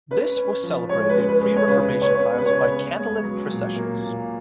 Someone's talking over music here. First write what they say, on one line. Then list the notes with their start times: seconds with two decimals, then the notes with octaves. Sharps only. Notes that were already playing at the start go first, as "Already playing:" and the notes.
This was celebrated in pre-Reformation times by candlelit processions.
0.11 C#4 B4
0.37 C#4
0.64 F3
0.89 G#3 C#5
1.09 B4
1.15 C#4
1.29 B4
1.41 G#3
1.56 C#5
1.68 C#3 B4
1.94 C#3
2.02 C#5
2.06 B4
2.20 B3
2.38 B4
2.45 C#3 C#5
2.72 B3
2.97 G#3
3.24 F#3
3.50 A#2
3.76 A#3
4.03 A#2